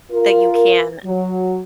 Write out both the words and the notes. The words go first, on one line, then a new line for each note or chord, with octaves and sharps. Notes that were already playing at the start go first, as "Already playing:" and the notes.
that you can,
F4 A#4
F#3